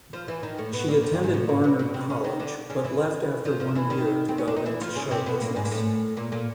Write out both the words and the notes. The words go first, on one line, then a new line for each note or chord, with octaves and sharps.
She attended Barnard College, but left after one year to go into show business.
F3 F4
E3 E4
D#3 D#4
A2 A3
B2 B3
A#2 A#3
F2 F3
G2 G3
G#2 G#3
A2 A3
A#2 A#3
B2 B3
B2 B3
C3 C4
C#3 C#4
D#3 D#4
D3 D4
C#3 C#4
E3 E4
F3 F4
F3 F4
E3 E4
D#3 D#4
C4
C#4
D4
D#4
E3 E4
F3 F4
C#3 C#4
C3 C4
B2 B3
A#2 A#3
G#2 G#3
A#3
A2 A3
A#2 A#3
A#2 A#3